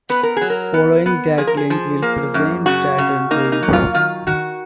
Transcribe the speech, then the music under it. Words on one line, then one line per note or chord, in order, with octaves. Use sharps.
Following that link will present that entry.
B3 B4
A#4
F#3 G#4
A#4
B3
B3
F3 G#4
A#4
G#4
F3
A#3
F#2
C#3 F#4
C#3
A#3 D#4
D#4
F#3
F4
D#3 F4
D#3 F#4